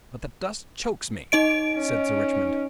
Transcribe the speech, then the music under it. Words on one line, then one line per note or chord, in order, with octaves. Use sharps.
"But the dust chokes me," said Sir Richmond.
D#4 D#5 D7
C#4